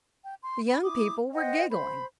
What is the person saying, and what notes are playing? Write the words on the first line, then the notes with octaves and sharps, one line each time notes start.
The young people were giggling.
G5
C6
B5
E4 D6 D#6
C5 D#5 F#5 G5
C5 B5